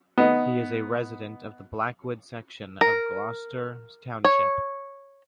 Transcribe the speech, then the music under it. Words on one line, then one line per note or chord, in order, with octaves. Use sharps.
He is a resident of the Blackwood section of Gloucester Township.
B3 D#4
A#4
C#5